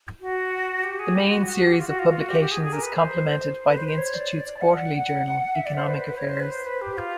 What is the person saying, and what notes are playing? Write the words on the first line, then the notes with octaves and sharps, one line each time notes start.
The main series of publications is complemented by the Institute's quarterly journal "Economic Affairs".
F#4
G4
G#4
G4
F#4
F#4
F#4
G4
F4
F#4
F4
F4
F#4
G4
G4
G#4
G#4
A#4
B4
C5
B4
C5
C5
C#5
D5
F#5
E5
D5
C5
B4
B4
B4
C#5
C5
B4
C5
B4
G4
F4